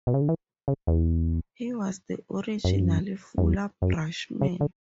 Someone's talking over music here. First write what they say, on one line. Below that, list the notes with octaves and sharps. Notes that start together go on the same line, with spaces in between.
He was the original Fuller Brush Man.
B2
C#3
D3
E3
C#3
E2
F#2
G2
F#2
F#2
E2
F#2
C#3
D3